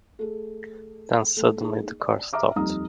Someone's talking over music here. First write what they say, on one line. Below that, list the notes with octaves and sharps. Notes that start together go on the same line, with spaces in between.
Then suddenly the car stopped.
A3 G#4
A3
A3 A#3 D#4 G#4
D5
E5 A#5 D6 F6
D#1 F2 G3 D#4 A#5 D#6